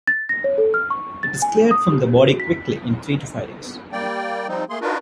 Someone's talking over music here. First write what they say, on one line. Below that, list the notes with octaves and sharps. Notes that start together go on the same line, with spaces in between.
It is cleared from the body quickly, in three to five days.
A6
A#6
C#5
A4
F6
C#6
A6
G#5
D#6
G4
F#4
B6
G3 A#3 D5 G5
F3 G3 C4 D#4
A3 A#3 G#4 C6
D4 D#4 F4 F#4 A#4 B4